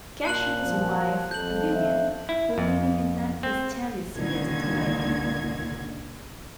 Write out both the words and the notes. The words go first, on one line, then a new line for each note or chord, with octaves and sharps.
Cash and his wife, Vivian, were living in Memphis, Tennessee, at the time.
A#2 A5 F#6 F#7
F3
F2 A4 G6 F#7
E5
E4
F2
C4
C#2 A#2 D3 D#3 G#6